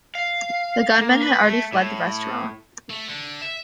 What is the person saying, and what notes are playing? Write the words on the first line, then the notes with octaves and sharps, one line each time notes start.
The gunmen had already fled the restaurant.
F5
A#3
B4
A3
A2
A3
D3
E5